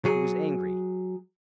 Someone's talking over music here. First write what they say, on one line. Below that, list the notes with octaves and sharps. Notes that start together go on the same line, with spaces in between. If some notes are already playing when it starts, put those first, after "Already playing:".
He was angry.
F#3 G#4